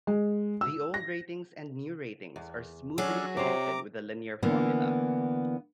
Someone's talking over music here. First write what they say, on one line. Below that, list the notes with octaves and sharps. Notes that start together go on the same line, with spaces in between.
The old ratings and new ratings are smoothly connected with a linear formula.
G#3
E6
A#6
E2
F#3 C#4 D4 F#4 G#4 A4
C3 C5 C#5 A#5 D6
D3 E3 A#3 B3